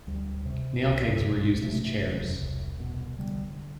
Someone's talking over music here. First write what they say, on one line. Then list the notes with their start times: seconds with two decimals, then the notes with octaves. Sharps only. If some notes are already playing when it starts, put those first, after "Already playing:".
Nail kegs were used as chairs.
0.07 D2 G3
0.45 C3
0.86 C2
1.24 B2
1.62 C3 A3
2.02 E1
2.40 C2
2.80 B2
3.18 D3 G3